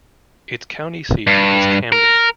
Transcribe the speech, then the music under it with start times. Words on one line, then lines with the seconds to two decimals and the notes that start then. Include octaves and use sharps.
Its county seat is Camden.
1.27 G2
1.92 A#4